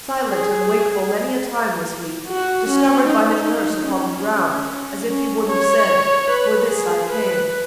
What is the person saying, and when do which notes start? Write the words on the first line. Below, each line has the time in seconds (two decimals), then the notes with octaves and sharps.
Silent and wakeful many a time was he Discovered by his nurse upon the ground, As if he would have said, 'For this I came.'
0.27 G#4
2.28 F#4
2.68 C#4
3.08 D#4
3.89 C#4
5.09 C#4
5.49 C#5
6.30 B4
6.69 G#4
7.10 B4